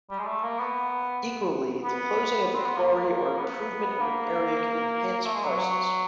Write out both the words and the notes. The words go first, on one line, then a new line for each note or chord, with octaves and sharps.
Equally, the closing of a quarry or improvement of an area can enhance prices.
G3
G#3
A3
A#3
B3
B3
B3
C4
B3
A#3
B3
A#3
A3
G#3
F#3
F#3